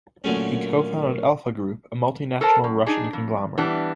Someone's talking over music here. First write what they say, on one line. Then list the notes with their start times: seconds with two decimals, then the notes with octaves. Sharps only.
He co-founded Alfa-Group, a multinational Russian conglomerate.
0.24 A#2 D3 F#3 A3 C#4
2.41 A4 A#4 C5 A5
2.64 F#2
2.86 D4 D#4 G#4
3.13 F2
3.58 E3 G3 B3 D4